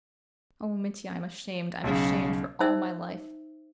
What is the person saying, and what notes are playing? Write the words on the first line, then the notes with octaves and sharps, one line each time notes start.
Oh, Mitya, I'm ashamed, I'm ashamed for all my life.
B1 C#3
D#4 C5 E5 E6